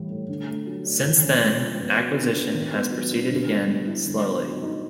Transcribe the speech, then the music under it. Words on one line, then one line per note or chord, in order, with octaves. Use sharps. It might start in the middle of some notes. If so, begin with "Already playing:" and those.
Since then, acquisition has proceeded again slowly.
Already playing: A2 E3 G3
A2
D3
A3
F#3
D4
F3
C#4
G#3
F3
B3
F#4
D4
B3
D#3
B3
F#3
D4
D3
B3
G3
E4
D3
B3
F#3
D#4